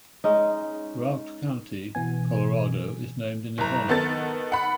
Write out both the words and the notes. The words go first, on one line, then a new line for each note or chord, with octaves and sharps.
Routt County, Colorado is named in his honor.
G#3 C#4 D#4
B2 E3 B3 G#5
F#1 A#5
D#3 B3 A4 A6
F#5 B5